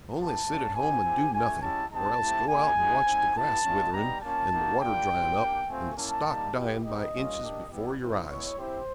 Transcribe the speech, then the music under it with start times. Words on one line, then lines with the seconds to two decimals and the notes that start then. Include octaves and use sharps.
Only sit at home and do nothing, or else go out and watch the grass witherin' and the water dryin' up, and the stock dyin' by inches before your eyes.
0.15 B3 E4 G4 A5
0.45 G3 A#3 C#4
0.74 C4 D#4 G4 G#5
1.03 C4 E4 G4
1.31 A3 D4 F4 G#5
1.61 G#3 C#4 E4 G4 A5
1.90 G#3 C4 D#4 G4 A5
2.19 A3 C4 E4 G4
2.47 A#3 D#4 G4 G#5
2.76 G#3 B3 D#4 F#4
3.05 G3 C4 D#4
3.35 B3 E4 G4 A5
3.63 G#3 C#4 F4
3.92 G3 B3 D#4 G4 A#5
4.22 A#3 C#4 F4 A5
4.51 A#3 D#4 F#4
4.80 G3 A#3 D4 F4 G5
5.09 G3 C4 F4
5.37 A#3 D4 G4
5.66 A3 C4 F4 G#5
5.95 A#3 C#4 E4 A5
6.25 G3 A#3 D#4
6.54 B3 E4 G4
6.83 B3 D#4 G4 D#5
7.12 G3 A#3 C#4 F4
7.41 A#3 D4 G4
7.70 G3 B3 E4 G4
7.99 G3 C4 E4
8.28 G#3 B3 E4 C#5
8.57 C4 E4 G4 C5